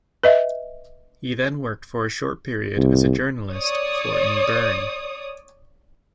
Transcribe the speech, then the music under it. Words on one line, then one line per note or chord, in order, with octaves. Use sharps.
He then worked for a short period as a journalist for in Bern.
B4 D#5 E5
C2
C#5 D5 D#6